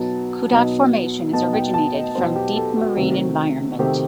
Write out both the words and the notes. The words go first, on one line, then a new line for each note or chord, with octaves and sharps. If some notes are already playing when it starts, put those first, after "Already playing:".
Kudat formation is originated from deep marine environment.
Already playing: B2 F#3 B3 D#4 A5
B2 F#3 B3 D#4
B2 F#3 B3 D#4 A5
G5
A5
D#5
B2 F#3 B3 D#4 C5
G4
A4
F#4
C3 D#3 A3 C4
C3 D#3 A3 C4 G4